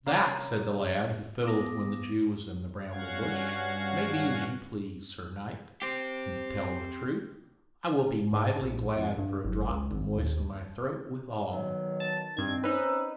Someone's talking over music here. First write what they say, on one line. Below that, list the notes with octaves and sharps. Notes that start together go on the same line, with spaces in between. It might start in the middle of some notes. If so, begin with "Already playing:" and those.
"That," said the Lad who fiddled when the Jew was in the bramble-bush, "may be as you please, Sir Knight; and, to tell the truth, I will be mightily glad for a drop to moisten my throat withal."
C3 A#3 C#4 C#5
B3 D6 D#6 A#6
G2 C#4 F#4 F5 F#5 G#6
C4 G4
G#2
A#1
F2
G2
F#1
C#2
G#1
D#2
B2 D#3 F#3
A5
G2 D#3 C4 G#6
C4 C#4 D#4 B4 E6